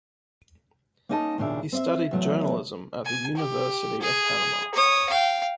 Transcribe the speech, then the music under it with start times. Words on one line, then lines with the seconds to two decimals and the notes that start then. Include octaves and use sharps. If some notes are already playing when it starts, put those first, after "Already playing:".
He studied journalism at the University of Panama.
1.09 A#3 C#4 D#4 D#5 G#5 A5
1.38 D#2 A#2 C#3 D4 E5
1.73 C4 D#5 E5
2.11 E2 F#3 A3
3.06 G#5
3.37 G4
4.01 G#4
4.74 C#5 D#6
5.10 F5 G5